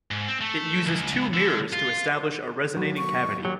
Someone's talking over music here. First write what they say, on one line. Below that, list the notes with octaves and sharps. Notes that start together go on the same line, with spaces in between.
It uses two mirrors to establish a resonating cavity.
G#2
C4
A3
C#2
D3
F4
D#2 F#3
C#6
F#3 A#3 G4